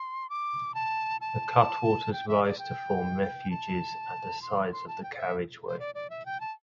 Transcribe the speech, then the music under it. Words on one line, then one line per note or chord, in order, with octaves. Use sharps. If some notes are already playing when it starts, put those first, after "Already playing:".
The cutwaters rise to form refuges at the sides of the carriageway.
Already playing: C6
D6
A5
A5
G5
E5
D5
G5
A5
C6
C6
A5
G5
D5
E5
C5
D5
D5
E5
G5
A5